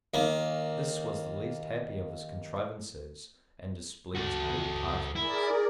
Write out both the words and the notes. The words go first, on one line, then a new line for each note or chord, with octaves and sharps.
This was the least happy of his contrivances, and displeased all parties.
D#2 A#3
F#4 A4
E4 G#4 A#4 D5